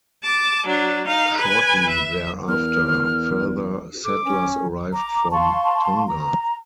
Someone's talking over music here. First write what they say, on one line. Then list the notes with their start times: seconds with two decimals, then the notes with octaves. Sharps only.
Shortly thereafter, further settlers arrived from Tonga.
0.23 A5 D6
0.67 F#3 D4
1.07 D#4 F5
1.38 B4 G#5
1.90 E5
2.48 E2 A#4 F6
4.05 A4 D6
4.24 C#4
4.93 A#5 D6
5.32 F5 A5 C6 C#6
6.07 A#5